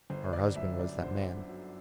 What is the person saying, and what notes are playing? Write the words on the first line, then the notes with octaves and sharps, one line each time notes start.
Her husband was that man.
G1 C5
D5
F#2 E5
D5
D3 C5
F#3